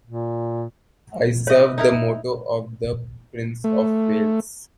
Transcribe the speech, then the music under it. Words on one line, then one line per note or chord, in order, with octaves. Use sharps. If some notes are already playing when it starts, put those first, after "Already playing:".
I serve the motto of the Prince of Wales.
A#2
B4 C#5 D#5 E5
D#4 E4 A#4
A3